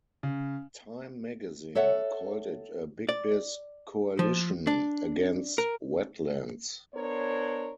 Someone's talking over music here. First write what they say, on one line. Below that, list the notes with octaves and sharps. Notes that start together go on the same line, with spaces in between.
"Time Magazine" called it "a big-biz coalition against wetlands".
C#3
A4 C#5 E5 F#5
D5
F3
D4
A#4
B3 D4 A#4 C5 C#5